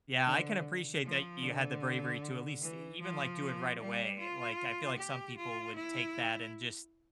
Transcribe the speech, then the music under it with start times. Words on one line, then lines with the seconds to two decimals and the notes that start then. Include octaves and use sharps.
Yeah, I can appreciate that you had the bravery to at least e even, like, do it right away. Like, I feel like some people would take that and just
0.26 D3
1.04 F3
1.43 D3
2.61 E3
3.00 F3
3.79 G3
4.18 F4
4.97 G4
5.37 F4
5.75 E4